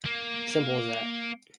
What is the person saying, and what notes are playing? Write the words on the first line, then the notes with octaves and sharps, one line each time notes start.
Simple as that.
A#3